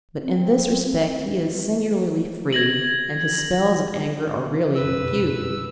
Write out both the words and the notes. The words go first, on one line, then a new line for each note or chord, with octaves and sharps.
But in this respect he is singularly free, and his spells of anger are really few.
C4
G#6 A#6 F#7
F1 B1 F#2 B4 E6